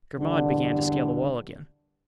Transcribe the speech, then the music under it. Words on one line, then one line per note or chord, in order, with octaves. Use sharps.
Grimaud began to scale the wall again.
E2 G2 A#2 D3